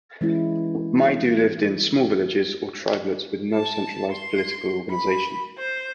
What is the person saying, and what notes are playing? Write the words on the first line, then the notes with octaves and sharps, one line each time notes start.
Maidu lived in small villages or tribelets with no centralized political organization.
E3 G#3 C#4 E4
A5
C6
B5
C5